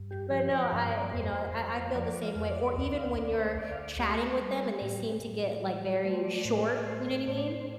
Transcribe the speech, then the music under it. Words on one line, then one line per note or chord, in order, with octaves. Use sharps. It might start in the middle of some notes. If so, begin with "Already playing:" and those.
but, no, I you know, I I feel the same way, or even when you're chatting with them and they seem to get, like, very short, you know what I mean?
Already playing: G2
G4
F3 G4
D5
G2 F5
D5
F2 C5
F2
F5
F3 D5
F5
F2
D5
D2 D5
F5
D2 D5
C5
D2 D5
F5
D5
A3 G4
G3
A2
A2
G3
A3 C5
D5
A2 C5
D5
A3 C5
C5
A2 D5
D5
C5